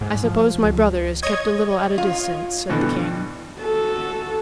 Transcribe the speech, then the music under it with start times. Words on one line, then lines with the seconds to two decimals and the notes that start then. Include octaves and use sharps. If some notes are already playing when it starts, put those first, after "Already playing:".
"I suppose my brother is kept a little at a distance," said the king.
0.01 G#2
0.24 F3
0.63 C#2
1.23 C#5 D#5 G#6
1.98 F4
2.70 G2 B2 D3 E3
3.60 F#4 A4